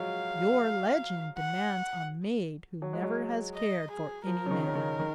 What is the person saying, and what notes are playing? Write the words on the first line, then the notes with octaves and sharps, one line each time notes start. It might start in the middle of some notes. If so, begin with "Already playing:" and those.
"Your legend demands a maid who never has cared for any man."
Already playing: F3 F#3 G#3 F5
F#5
F#3
G#3
F#3
D#5
G#4
F3 A#4
C#3
D#3
C#3
D#3
D#3